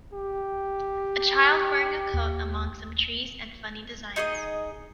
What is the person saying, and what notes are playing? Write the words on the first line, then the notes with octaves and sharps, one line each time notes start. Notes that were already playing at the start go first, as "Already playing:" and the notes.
A child wearing a coat among some trees and funny designs.
G4
D#2
D#4 G#4 D5 D#5